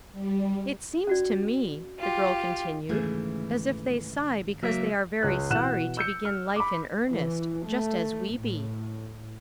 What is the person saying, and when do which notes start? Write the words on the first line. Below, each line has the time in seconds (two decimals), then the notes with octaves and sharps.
"It seems to me," the girl continued, "as if they sigh because they are very sorry to begin life in earnest--just as we be."
0.12 G3
1.07 C#4 F#4 D5
1.99 F4 G4
2.89 D#2 G#2 C#3 E3 A3 G#4
4.63 C#2 F#3 A#3 E5
5.23 C#2 C#4 F#6
5.50 B2 E3 F#5 F#6 E7
5.97 E6 G6 C#7
6.25 F6
6.56 B5 D6
7.09 E3
7.66 A3
8.35 A2